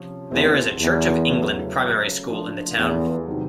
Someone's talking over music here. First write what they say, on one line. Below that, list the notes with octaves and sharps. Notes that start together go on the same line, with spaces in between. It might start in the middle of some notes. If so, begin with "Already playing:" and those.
There is a Church of England primary school in the town.
Already playing: C3 F3 C#4
E2 E3 A3 C4 E4 G4
E2
C#3 F#3 A3 C#4 E4
F3 A3 D4 F4
E2
C3 D#3 F#3